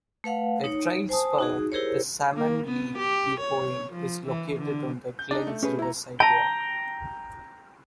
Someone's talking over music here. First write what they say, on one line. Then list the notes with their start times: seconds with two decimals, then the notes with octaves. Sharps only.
A trail spur, the salmon leap viewpoint, is located on the glen's Riverside Walk.
0.24 A3 B4 F5 F#5
0.64 D#4 C#5
1.09 C5 G#5 A5 D#6
1.39 D#4 F#4 G#4
1.72 E4 G4 G#4 A#4 C5 C#5
2.36 A#3
2.68 B3
2.98 G4
3.41 C#5
3.93 F3
4.27 E3
4.57 D3
5.19 G6
5.31 D4 D#4 D5
5.47 A3
5.63 C#4 G#4 B4
5.79 E4 A#5
6.20 G5 A5 A#5